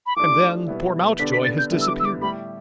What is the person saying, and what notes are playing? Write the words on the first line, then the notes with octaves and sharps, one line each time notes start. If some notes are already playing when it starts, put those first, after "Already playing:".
And then poor Mountjoy has disappeared.
B5
E3 A3 D4 G4 D6
B2 G3 B3 E4
D3 B3 D4 G4 B6
B6
A6
G6
D3 G3 B3 E4
E6
D6
E6
D6
A2 G3 E4 G4 B5